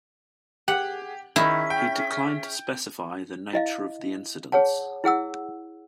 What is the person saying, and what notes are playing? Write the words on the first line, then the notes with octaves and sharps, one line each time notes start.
He declined to specify the nature of the incidents.
G4 G#4 F#5
D#3 C#4 E4 G#4 E5
G5
E4 D#5 F5
G#4 C#5 F#5 A5
E4 G#4 F#5 E6